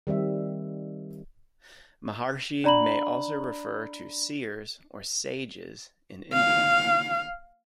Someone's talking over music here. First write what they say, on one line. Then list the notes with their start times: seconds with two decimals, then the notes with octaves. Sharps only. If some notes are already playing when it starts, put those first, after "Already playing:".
"Maharshi" may also refer to "seers" or "sages" in India.
0.07 D#3 G3 C4 E5
2.64 D4 D5 A#5 B5 F#7
6.33 F5